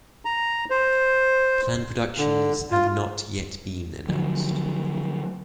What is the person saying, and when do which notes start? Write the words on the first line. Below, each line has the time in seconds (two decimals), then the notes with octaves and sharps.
Planned productions have not yet been announced.
0.25 A#5
0.70 C5
2.18 D3
2.71 F4
4.08 D3 F3 F#3